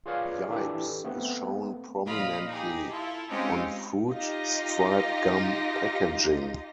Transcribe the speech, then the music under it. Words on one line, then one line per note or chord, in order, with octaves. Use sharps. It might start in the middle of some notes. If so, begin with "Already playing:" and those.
Yipes is shown prominently on Fruit Stripe gum packaging.
F4 G#4 B4 C#5 D5 F5
E3 D4 E4 G4 A4
A3 B3 C4
A#2 F3 F4 D#5 F5 B5
D#4 G4 G#4
E4 F4 A4
G#3 C4 C#4 D#4 F4 G4
D#4 F4 G4 D#5 F5 A#6